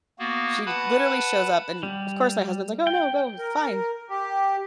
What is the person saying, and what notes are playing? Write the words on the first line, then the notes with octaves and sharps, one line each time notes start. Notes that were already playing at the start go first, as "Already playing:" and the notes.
she literally shows up and, of course, my husband's, like, "Oh, no, go, fine g
A#3 B3 F#4
B4 F#5 A5 B5
G3
G5
A#4
G4